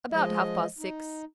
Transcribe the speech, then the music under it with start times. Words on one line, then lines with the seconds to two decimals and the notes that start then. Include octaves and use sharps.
"About half-past six."
0.12 F3 G#3 D#5
0.79 D#4